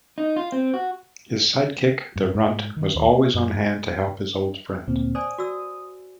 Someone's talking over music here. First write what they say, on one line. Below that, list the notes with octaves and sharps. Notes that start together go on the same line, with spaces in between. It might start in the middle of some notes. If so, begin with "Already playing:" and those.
His sidekick, the Runt, was always on hand to help his old friend.
D#4
F4
C4
F#4
G2
G#2
D#3
D#2
A#3
F#2
D2 A#2 C4
C5 D5 G#5 D#6
F#4 D5 E6